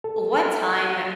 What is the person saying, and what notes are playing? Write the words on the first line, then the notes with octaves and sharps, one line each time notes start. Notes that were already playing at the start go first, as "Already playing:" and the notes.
what time
A4